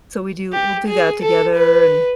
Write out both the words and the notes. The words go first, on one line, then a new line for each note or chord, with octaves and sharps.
so we do we'll do that together, and
G4
G#4
A4
B4